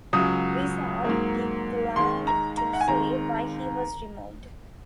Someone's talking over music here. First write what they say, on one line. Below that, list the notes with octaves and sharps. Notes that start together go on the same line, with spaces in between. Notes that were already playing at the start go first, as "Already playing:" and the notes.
"Wizard" declined to say why he was removed.
C#2 C#3 F#3 D#6
G#2 F#3 A#3
D#2 D#3 G#3 C6
A#5
A#5
F#5
G#5
D#2 D#3 G#3 C4 A#5